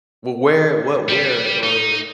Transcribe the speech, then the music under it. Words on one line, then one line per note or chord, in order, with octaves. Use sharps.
Well, where what where or
G3
D#4